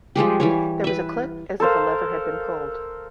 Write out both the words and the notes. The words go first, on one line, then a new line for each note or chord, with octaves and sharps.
There was a click as if a lever had been pulled.
F3 G3 G#3 G4
E3 G3 C#5
B4 E5
A4 A#4 C5 F5